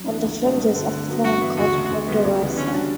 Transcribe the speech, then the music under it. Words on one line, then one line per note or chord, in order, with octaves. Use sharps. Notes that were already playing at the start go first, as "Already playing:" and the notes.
On the fringes is a farm called "Ponderosa".
Already playing: F#2
E3 B3 D4
C#2
B2 F#3 A3 D4
G2
D3 F#3 A3
D3
F#3 B3 F#4
G2 F#4
E3 B3 E4
D2 F#4
C#3 F#3 A3
D2
C#3 G3 B3
C#2
C#3 E3 B3
D3 C#4
G3 D4 F#4